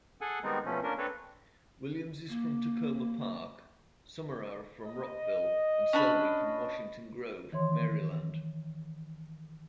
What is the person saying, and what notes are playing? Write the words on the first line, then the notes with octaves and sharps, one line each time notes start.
Williams is from Takoma Park, Summerour from Rockville, and Selby from Washington Grove, Maryland.
G#4 A4 F#5 G#5
D#3 G3 G#3 B3 C4 D#4
B2 F3 F#3 A3 C#4
A#3 C#4 D4 A#4
C4 D4 A4 B4 C#5
A#3
D#5
C#4 D4 B5
D#3 E3 C#5 C6